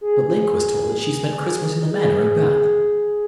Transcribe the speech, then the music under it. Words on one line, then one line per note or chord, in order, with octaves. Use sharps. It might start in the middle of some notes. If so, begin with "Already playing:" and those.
"But Link was told that she spent Christmas in the Manor at Bath."
G#4
G#4